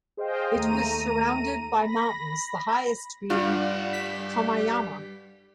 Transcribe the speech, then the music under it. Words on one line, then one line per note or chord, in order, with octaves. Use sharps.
It was surrounded by mountains, the highest being Komeyama.
G#4 C5 D#5 F5 G5
D#2 A3 A#5 D#7
B5 A#6
G2 G3 F4 G4 F#5
B6